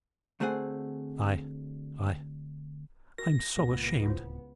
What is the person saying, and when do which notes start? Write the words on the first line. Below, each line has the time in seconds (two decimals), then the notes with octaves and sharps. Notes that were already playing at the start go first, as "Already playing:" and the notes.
I--I--I'm SO ashamed!
0.40 D2 A3 C4 G#4 F#5 G#5
3.18 F#4 A#4 A#6
3.57 C#2 A#2 B3
4.06 D1 E4 F4 C5